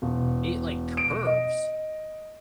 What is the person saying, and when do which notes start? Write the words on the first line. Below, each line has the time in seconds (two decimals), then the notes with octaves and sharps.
it, like, curves
0.02 E1
0.97 D7
1.27 D#5